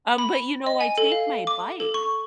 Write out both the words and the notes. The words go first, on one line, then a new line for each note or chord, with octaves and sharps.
Um, but you know, I take my bike
B5
D#5
G#5
A4
F5
D6
A4
C#6